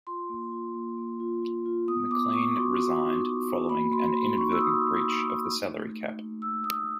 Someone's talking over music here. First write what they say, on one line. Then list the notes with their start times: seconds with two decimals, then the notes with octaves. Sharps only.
McLean resigned following an inadvertent breach of the salary cap.
0.07 F4 C6
0.29 A#3
0.52 F4
0.74 A#3
0.97 A#3
1.20 F4
1.43 F4
1.66 F4
1.88 B3 D#6
2.10 B3 D6
2.33 B3 C#6
2.56 F#4 C6
2.79 F#4
3.01 D#4
3.24 F#4
3.47 F#4
3.69 A#3 B5
3.92 F#4 C6
4.15 F#4 C6
4.37 D#4 C#6
4.52 E6
4.60 A#3 D#6
4.83 A#3
5.05 F#4
5.28 D#4
5.51 A3
5.73 A3
5.97 D#4
6.19 A3
6.42 A3 E6
6.64 A3 D#6